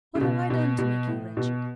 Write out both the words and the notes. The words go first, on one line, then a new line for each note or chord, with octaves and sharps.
"What have I done to make you wretched?"
C#3
B2
B2
B2
A2
B2